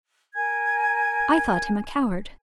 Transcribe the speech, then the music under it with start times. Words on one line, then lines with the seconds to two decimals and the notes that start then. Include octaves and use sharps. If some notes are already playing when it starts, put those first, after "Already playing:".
I thought him a coward.
0.34 A#4 G#5 G#6